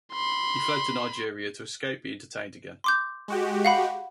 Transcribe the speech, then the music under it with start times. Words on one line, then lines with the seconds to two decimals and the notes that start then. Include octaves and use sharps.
He fled to Nigeria to escape being detained again.
0.12 B5 C6
2.84 C6 D6 G6
3.28 G#3 F#4 G4
3.65 F5 F#5 B5